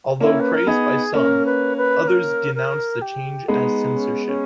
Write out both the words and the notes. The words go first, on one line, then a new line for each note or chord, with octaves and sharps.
Although praised by some, others denounced the change as censorship.
A#3 C#4 E4
B4
A#4
B3 D#4 G#4
A#3 C#4 A#4
B4
B4
A#4
A#4
G4
G#3 B3 D#4
C#4
C#4